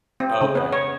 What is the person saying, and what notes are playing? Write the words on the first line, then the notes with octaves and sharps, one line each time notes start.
Oh, okay.
C4
C#3
B3
C#5